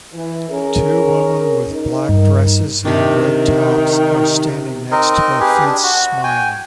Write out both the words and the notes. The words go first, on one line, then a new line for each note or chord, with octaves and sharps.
Two women with black dresses and red tops are standing next to a fence smiling.
E3
C#4 G#4 A#4
D#4 A#4
G2
C3 D#3 D4
C4 D#4 A#4 D#5
G4 G#4 B4
D4
F#4
G5 G#5